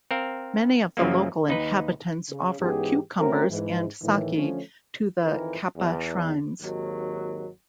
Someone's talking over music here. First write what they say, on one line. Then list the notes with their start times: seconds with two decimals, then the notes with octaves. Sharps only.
Many of the local inhabitants offer cucumbers and sake to the kappa shrines.
0.11 C4 A#4 F5
0.97 F#2 C#3 F3 F#3 A#3
1.48 D#2 D#4 B4
2.30 C#3
2.60 G#2 E3 B3 C#4 G4 G#4
3.19 A3 C4 C#4 F#4 A#4
3.50 G#2 E3
4.02 A2 D#3 E3
4.35 D3 F3 A3 C#4
5.21 F2 D#3 E3 A#4
5.77 E2
6.60 G#1 D#2 D#3 F#3